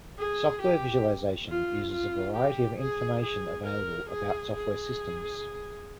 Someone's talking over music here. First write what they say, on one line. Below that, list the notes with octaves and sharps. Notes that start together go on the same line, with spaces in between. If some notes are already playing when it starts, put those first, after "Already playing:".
Software visualization uses a variety of information available about software systems.
G#4
G4
F4
F4
G4
G#4
G#4
A#4
G#4
G#4